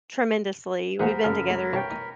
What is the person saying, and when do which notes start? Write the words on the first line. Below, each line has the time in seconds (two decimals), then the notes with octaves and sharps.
tremendously, we've been together
0.99 D#2 A#2 D#3 G#4 A#4 C5 F#5 B5
1.24 F#2 C#3 A4 G#5 F6
1.50 G#3 C#4
1.73 B1 C#5 G5 A5
1.90 D#4 C#6